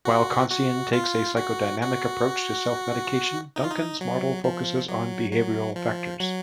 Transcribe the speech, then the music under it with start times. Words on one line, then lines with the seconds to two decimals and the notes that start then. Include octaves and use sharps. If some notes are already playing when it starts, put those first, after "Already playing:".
While Khantzian takes a psychodynamic approach to self-medication, Duncan's model focuses on behavioral factors.
0.05 F#4
0.50 F#4
0.93 F4
1.37 F#4
1.81 F#4
3.56 D#4
3.64 F4
3.71 D#4
4.01 F#3
4.44 F3
4.88 F#3
5.31 F#3
5.76 F3
6.20 F#3